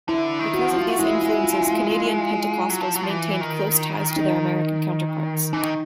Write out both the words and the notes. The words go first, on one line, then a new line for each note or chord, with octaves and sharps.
Because of these influences, Canadian Pentecostals maintained close ties to their American counterparts.
D3 E4
D#3
F#4
F3
F4
A3
G#3 E4
E4
F4
F4
E4
F4
F#3
F3
F#3
F3
E3
D#3
D#4
E3 D#4
D#3